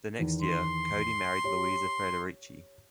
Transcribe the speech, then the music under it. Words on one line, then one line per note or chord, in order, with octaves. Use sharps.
The next year, Cody married Louisa Frederici.
E2 D#3
C6
G4 C#5